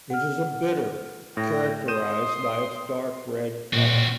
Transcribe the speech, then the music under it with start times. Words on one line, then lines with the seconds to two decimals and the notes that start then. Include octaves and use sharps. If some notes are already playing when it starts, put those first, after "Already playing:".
It is a bitter characterised by its dark red colour.
0.10 F#5 F6
1.37 A2 G5 A#6
1.88 C6 D#6 G6 D#7 E7
3.73 A#2 C4 F#4